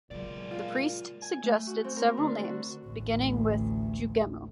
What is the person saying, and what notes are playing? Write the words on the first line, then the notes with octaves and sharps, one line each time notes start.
The priest suggested several names, beginning with "Jugemu".
A#2 C#3 F#3 G#3 D5
F4
G#5
A3
F#4
C4
A#4
D3
F#4
A1 D2